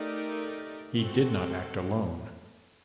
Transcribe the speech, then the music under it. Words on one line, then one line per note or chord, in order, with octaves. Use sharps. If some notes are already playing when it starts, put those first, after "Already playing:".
He did not act alone.
Already playing: A3 D#4 G4 A#4 D5
C4 F#4 A4